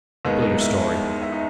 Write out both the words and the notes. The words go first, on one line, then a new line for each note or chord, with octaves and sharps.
"Spill your story."
D#2 D#3 G#3 B3
D#4
E4
E4
D#4